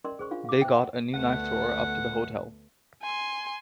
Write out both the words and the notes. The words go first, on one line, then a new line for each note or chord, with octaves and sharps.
They got a new knife-thrower up to the hotel.
C#4 A#4 D5 D#5 C6
G#4 C5 C#6
D4 F4 F5
F5 D6
C5 E5 G5
F#5
D2 A3 B3 F#5
G#5 C6